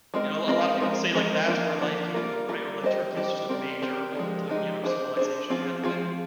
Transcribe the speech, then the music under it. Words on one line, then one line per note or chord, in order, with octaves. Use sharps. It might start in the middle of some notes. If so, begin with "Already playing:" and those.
You know, a l a lot of people say, like, that's where life came from, right? Or, like, Turkey is just a major, old, you know, civilization kinda thing.
G#3 C4 F4 A#4 D#5
G#3 C4 F4 A#4 D#5
F3 G#3 C4 D#4 A#4
F3 G#3 C4 D#4 A#4
F3 A#3 D4 F4
F3 A#3 D4 F4
G3 A#3 F4 A#4
G3 A#3 F4 A#4
G3 D4 G4 C5 D#5
G3 D4 G4 C5 D#5
C4 G4 A#4 D5
C4 G4 A#4 D5
F3 G#3 D#4 G4
F3 G#3 D#4 G4
D4 G#4 C5
D4 G#4 C5
F3 C4 F4 G#4
F3 C4 F4 G#4